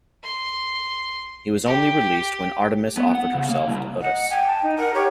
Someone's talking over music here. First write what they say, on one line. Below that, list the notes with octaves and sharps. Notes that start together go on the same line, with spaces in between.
He was only released when Artemis offered herself to Otus.
C6
G4
B3
F#5
C#3
A#3
C2
D#5 F#5
G5 G#5
A5
D#4
A#4 F#5
G4 C#5